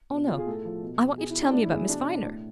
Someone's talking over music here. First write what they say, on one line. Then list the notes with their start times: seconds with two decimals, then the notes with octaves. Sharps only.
"Oh, no. I want you to tell me about Miss Viner."
0.11 B2
0.28 F4
0.38 G#4
0.46 A2 A4
0.65 F3
0.82 B2
1.18 B2 G#4
1.30 E4
1.42 D4
1.53 A2 D4
1.62 E4
1.71 E3 G#4
1.89 B2 D4
2.25 A2